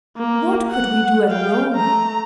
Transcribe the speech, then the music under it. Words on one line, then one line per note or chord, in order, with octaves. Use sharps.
What could we do at Rome?
A#3
F#5
F5 G5
A3 A#5